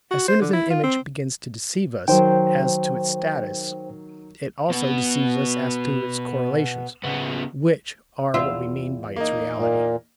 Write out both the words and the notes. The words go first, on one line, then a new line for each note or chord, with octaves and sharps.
As soon as an image begins to deceive us as to its status, it also deceives us as to its correlations, which are what we mean by its "reality."
F#4
C5
D3
E4
F4
C4
D#3 F#3 C5 G5
B2 B3
C#3 B3
E2 F4 E5
A#3 D#4
A#2